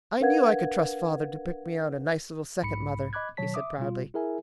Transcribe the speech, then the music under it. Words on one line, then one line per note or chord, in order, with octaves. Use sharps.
"I knew I could trust father to pick me out a nice little second mother," he said proudly.
D4 A#4 B4 F5 F#5 G#6
B1 G#2 B5 C#7
D#5 B5 D6 F#6 G#6
B2 D#3 F#3 C#5 A5 B6
E5 D6 D#6
B2 G3 F4
E4 G#4 A#4 E5 G#5